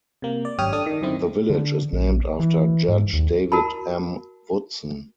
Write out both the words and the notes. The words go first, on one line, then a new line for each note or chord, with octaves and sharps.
The village is named after Judge David M. Woodson.
C3 A#3
D5
G#1 F#2 G4 C#5 D#6 F6
D4 A4 D5 D#6
D#3 D#6
F#2 D3 D#3 C4 E4
D3
A#1
E3
G#2
D#2
F#4 A#4 A5 B5